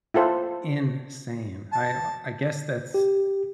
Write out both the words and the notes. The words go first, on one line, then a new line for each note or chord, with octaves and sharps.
insane. I, uh, I guess that's
E4 F4 A4 C5
A5
G4